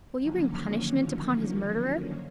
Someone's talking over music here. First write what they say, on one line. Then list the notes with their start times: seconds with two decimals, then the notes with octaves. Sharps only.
Will you bring punishment upon his murderer?
0.15 D3 D#3 F3 F#3 A#3 C#4